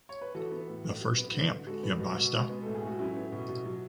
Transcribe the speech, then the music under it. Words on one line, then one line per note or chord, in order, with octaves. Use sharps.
The first camp ""Ya Basta!
C#5
B4
E3 F#4 A4
B3
A2
A2
F#3
B3
D3
D3
G#3 F#4 A4
B3
B2
B2
G#3
B3
A2 A4
G#4
A2 F#4
F#3 C#4 E4
B3
B2
B2
F#3